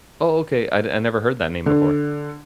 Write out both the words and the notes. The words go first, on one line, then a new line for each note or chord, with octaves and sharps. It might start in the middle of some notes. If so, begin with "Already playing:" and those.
Oh, okay, I'd I never heard that name before.
D3